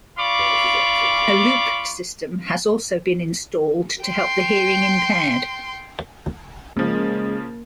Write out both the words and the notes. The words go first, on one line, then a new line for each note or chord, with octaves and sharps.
A loop system has also been installed to help the hearing impaired.
F4 D5 F5 B5 C#6 D6
G5 C6
C#3 F3 G#3 A#3